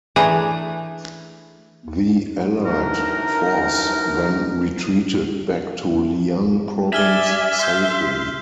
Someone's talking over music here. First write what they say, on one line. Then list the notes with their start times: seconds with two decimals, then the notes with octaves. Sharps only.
The allied force then retreated back to Liang Province safely.
0.16 E3 A3 D4 G#4 A#5
2.64 F#2 E3 D4 D#4 A#4
6.93 D5 E5 G#5 E6 F6 G7
7.59 C6 F6 G6